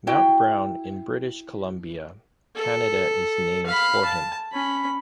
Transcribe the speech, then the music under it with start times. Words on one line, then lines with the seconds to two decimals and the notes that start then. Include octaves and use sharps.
Mount Brown in British Columbia, Canada is named for him.
0.07 E4 F#4 G5
2.56 A4
3.67 F5 B5
4.04 A5
4.53 C#4 B5